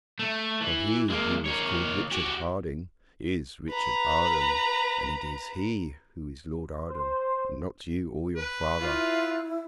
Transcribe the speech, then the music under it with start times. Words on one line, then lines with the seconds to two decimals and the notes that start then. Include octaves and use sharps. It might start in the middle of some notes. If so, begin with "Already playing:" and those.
For he who was called Richard Harding is Richard Arden, and it is he who is Lord Arden and not you or your father.
0.19 A3
0.60 E3
1.10 G#3 A#3
1.46 A#3 C#5
2.12 F#4 G4
3.69 B4 A#5
6.88 C5
8.35 B4
8.80 E4 F4